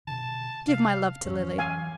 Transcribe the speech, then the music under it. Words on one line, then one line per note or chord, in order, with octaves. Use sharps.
Give my love to Lily.
B2 D3 D#3 A5
C3 F5
F2 G#2 E3 C#4
E3 F#3 F5 G#5